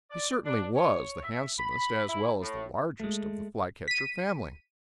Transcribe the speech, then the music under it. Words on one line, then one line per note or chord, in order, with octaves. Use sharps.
He certainly was the handsomest as well as the largest of the Flycatcher family.
D5
D4
C#5
E5
B5
E4
A2
G#3 A3
B6 D#7